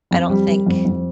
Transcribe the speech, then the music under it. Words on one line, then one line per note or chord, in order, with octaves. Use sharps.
I don't think
F2
G3
G3
F2
F2